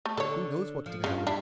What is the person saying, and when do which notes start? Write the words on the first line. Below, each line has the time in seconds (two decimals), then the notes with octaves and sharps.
Who knows what could happen?
0.05 A3
0.17 D3 A4 C#5
0.86 F3
1.04 G2 C#3 F4
1.27 G3 D4 E4